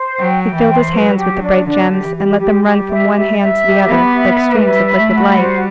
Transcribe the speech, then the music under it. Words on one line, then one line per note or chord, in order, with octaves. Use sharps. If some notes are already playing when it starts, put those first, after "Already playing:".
He filled his hands with the bright gems, and let them run from one hand to the other, like streams of liquid light.
Already playing: C5
F#3 G5
G5
E3
C5
F#3 B4
G4
D4
D3 D4
G4
E3
G4
G3 G4
G4
E5
E5
E5
G4
B3 B5
E5
B4
G3 E5
B5
A3
F#4
G3 C5